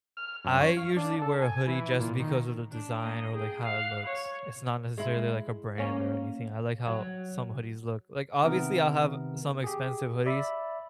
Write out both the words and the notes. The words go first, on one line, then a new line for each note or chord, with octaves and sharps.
I usually wear a hoodie just because of the design or, like, how it looks, it's not necessarily, like, a brand or anything, I like how some hoodies look, like, obviously I'll have some expensive hoodies,
F6
F#2
C#5
F5
D4
A4
G#5
E3
A#2
D#3
D4
A#3 D#5
G#4 G5
F5 F#5
C#5
G#3 E4
A#3 C#4
F#3
C3 D#3 B3 A#4
G4 G#4
D5 E5 B5